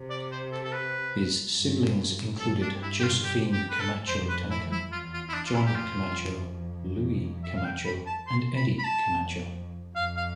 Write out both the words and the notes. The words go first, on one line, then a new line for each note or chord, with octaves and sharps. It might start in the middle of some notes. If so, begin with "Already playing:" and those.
His siblings included Josephine Camacho Tanaka, John Camacho, Luis Camacho, and Eddie Camacho.
Already playing: C3
D5
C5
A4
A4
B4
G2
G2 A4
D4
E4
G4
F4
G4
G4
B4
A4
F2 C5
B4
E4
E4
E2 F4
F4
E4
D4
F4
E4
G4
F2 F4
E5
F5
G5
B5
A5
C6
B5
B5
A5
F2
F2 F5
F5